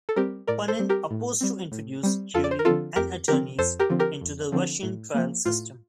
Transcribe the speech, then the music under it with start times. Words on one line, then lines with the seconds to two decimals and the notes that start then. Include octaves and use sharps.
Panin opposed to introduce jury and attorneys into the Russian trial system.
0.09 A4
0.16 G3 C4 G4 A#4
0.47 A2 A#4 D5
0.68 A4 C5
0.79 G3 C4
0.89 G4 A#4
1.11 A2
1.41 G3 C4
1.72 A2
2.03 G3 C4
2.34 F2 F4 A4
2.44 D5
2.51 C5
2.59 A#4
2.65 D3 F3 C4 F4 A4
2.96 F2 G4 A#4
3.28 D3 F3 C4 G4 A#4
3.58 F2 A4 C5
3.80 G4 A#4
3.90 D3 F3 C4
3.99 G4 A#4
4.21 F2
4.52 D3 F3 C4
4.83 A2
5.14 F3 A#3
5.45 A2 F4